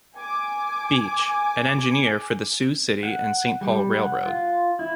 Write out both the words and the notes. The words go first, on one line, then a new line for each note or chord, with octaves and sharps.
Beach, an engineer for the Sioux City and Saint Paul Railroad.
G#5 D6
F#5
G3
F#5
F4
E4